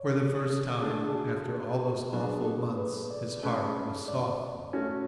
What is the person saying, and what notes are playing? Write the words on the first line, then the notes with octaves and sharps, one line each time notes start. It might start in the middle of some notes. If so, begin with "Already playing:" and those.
For the first time after all those awful months his heart was softened.
Already playing: C#5 D5
A4
A4
D3 A3 D4 G#4
G#4
F#4
F#3 B3 D4 G#4
A4
B4
D5
A3 C#4 G#4 B4
D5
A3 C#4 F#4 C#5